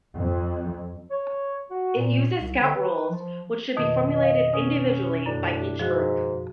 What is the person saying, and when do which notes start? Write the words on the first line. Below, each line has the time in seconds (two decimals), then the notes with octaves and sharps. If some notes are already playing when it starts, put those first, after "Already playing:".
It uses Scout rules, which should be formulated individually by each group.
0.17 F2
1.10 C#5
1.70 F#4
1.96 A#2
2.37 C2
2.58 D3
2.74 B4
3.09 F3
3.77 F2 B2 D#3 D#5
4.22 F5
4.53 B2 C#4 D#6
5.26 F#2 A2 D4
5.79 G#2 F3 F#4